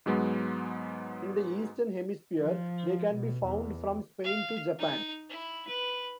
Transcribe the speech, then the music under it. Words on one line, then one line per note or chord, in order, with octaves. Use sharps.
In the eastern hemisphere, they can be found from Spain to Japan.
G#2 F#3 G#3 B3
F3
B2
E2
F5
D#4
E4
B4